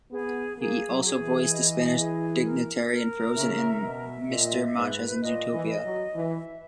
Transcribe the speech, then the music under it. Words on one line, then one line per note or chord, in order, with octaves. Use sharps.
He also voiced the Spanish Dignitary in "Frozen" and Mr. Manchas in "Zootopia".
B3 G#4
A#3 G#4
F#3
G#4
E3
D#5
G#4
A#4
A#4
C#3 E5
B2 E5
A#2 D#5
G#2 B4
A#2 D#5
E3
D#5
F#3
E3 E5